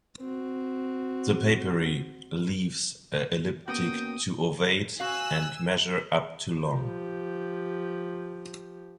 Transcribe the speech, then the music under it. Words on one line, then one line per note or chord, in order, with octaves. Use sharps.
The papery leaves are elliptic to ovate and measure up to long.
C4 F#4
A#3 B3 C#4 F#4 G5 D#6
F#4 F5 G#5 E6 F#6
F3 G4